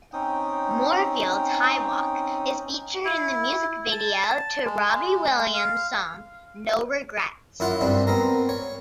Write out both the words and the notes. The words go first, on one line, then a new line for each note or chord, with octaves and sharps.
Moorfields Highwalk is featured in the music video to Robbie Williams' song "No Regrets".
C4 C#4 D#4 G5 D#6
E4
A5
G#3
F5
F#2 E4 F4 F#5
G2 G3 C4 D4
B3 C4 A#4
C#5